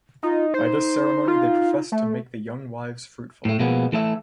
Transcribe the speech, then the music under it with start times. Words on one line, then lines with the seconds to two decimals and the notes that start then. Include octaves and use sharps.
By this ceremony they professed to make the young wives fruitful.
0.23 D#4 F4
0.54 D#4 C5
1.28 F4
1.92 A3
3.45 A2 A3
3.59 B2 F3 G#3 A#3 B3
3.92 E3 A3 A4 E5